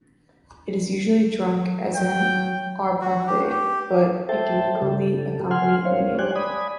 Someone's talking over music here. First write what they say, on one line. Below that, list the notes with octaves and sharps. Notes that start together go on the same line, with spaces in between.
It is usually drunk as an aperitif but it can equally accompany a meal.
F#3 G5
F#4
G4
G4
A4 C5 E5 G5 A5
C#3 G4 A4
F#5 G#5 C6 F6
C5 C#5 F5
G4 C5 D5 G5 G#5 F#6
D5 G#5 B5 D#6